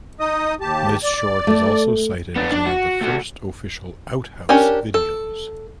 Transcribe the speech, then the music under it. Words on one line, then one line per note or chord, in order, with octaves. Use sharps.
This short is also cited as one of the first official "Outhouse" videos.
D#4 D#5 D#6
D#2 G4 A5
D5
A3
B3 D4
D4 D5
F#4
A3 F#4
C#4 D4 G4 A#4
A4